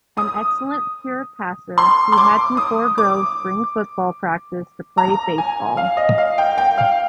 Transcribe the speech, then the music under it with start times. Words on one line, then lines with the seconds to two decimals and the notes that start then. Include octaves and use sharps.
An excellent pure passer, he had to forego spring football practice to play baseball.
0.17 D#6
1.78 C6
2.12 C6
2.18 D6
2.57 D#6
2.98 D6
4.98 A#5
5.38 G#5
5.77 F5
5.97 D#5
6.18 F5
6.38 G5
6.58 G5
6.78 F5